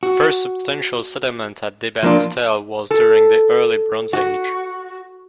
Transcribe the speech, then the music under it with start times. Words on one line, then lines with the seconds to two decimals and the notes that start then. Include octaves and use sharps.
The first substantial settlement at Dhiban's tell was during the Early Bronze Age.
0.03 F#4
2.03 F3 A#3 D4 F4
2.91 A4
4.13 F#4